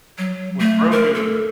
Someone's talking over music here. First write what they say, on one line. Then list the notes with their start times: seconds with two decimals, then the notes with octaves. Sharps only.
With Grogu.
0.18 F#3
0.59 A3
0.91 A#4
1.14 A4